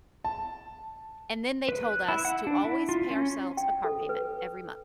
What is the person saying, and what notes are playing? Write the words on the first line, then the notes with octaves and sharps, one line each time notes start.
and, then, they told us to always pay ourselves a car payment every month
A5
B4
F#6
E4
F#5
D4
E4
F4
C#4
G5
A4
B4